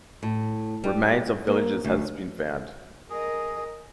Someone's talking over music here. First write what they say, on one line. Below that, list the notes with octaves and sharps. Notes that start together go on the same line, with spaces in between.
Remains of villages has been found.
A2
G3
A#3
D2
G#4 A#4 D#5